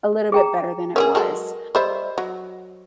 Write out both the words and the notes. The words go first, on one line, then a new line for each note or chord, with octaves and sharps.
a little bit better than it was.
G#4 G5 A#5
C#4 G4 G#4 A#4 B4
F#3 G#3 A4
G3 C5 D#5 E5 B5
F#3